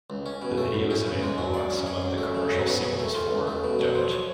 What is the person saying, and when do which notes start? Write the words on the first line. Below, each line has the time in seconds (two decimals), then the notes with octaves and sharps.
The video is available on some of the commercial singles for "Don't!".
0.10 C#2
0.26 C#4
0.42 B2
0.58 A3
0.74 F#2
0.91 C#4
1.06 C#3
1.23 G#3
1.38 F#3
1.54 D5
1.70 C#4
1.86 G#4
2.02 F#2
2.18 A3
2.35 C#3
2.51 F#3
2.67 B2
2.83 G#4
3.00 A3
3.14 F4
3.31 C#2
3.47 A3
3.64 B2
3.79 F#3
3.95 F3
4.11 C#5